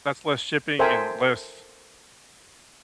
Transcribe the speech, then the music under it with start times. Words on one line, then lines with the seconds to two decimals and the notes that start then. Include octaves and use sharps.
that's less shipping and less,
0.79 A4 A#4 C5 E5 G5 G#5